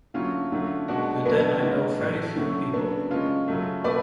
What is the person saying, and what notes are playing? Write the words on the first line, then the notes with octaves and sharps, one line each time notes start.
But then I know very few people.
D3 F#3 A3 C#4 F4
D3 F#3 A3
B2 G#3 D4 F#4
B2 F#3 A3 B3 D4
D3 G#3
A2 F#3 A3
D3 F#3 A3 C#4
C#3 F#3 A3 B3 D4
C#3 G#3 C#4 F4
C#3 F#3 A3
B2 A3 B4 D5